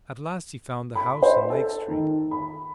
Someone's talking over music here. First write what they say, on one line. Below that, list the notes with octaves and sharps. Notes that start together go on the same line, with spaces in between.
At last he found the house in Lake Street.
B5
C5
A4
D#3
B5